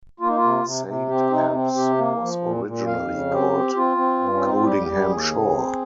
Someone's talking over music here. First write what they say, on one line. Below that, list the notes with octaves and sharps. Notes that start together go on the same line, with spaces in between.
Saint Abbs was originally called Coldingham Shore.
A#3 F4
D#4
F4
C3
C3
C3
C4 G4
C3 D#4
C4
C3 G4
A#3
F3
A#2
A#2
F2 F5
C#3
C4 G4
C4
C4 F4
C4
G2
C#4
C4 D#4
F4
G3 G4
G3
D#2 G#4
C#3
C4